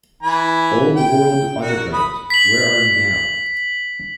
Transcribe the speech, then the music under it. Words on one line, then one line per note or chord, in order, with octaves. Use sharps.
Old World Underground, Where Are You Now?
E3 G#5 B5
G5
F#4 A#4
B5 D#6
B6 F#7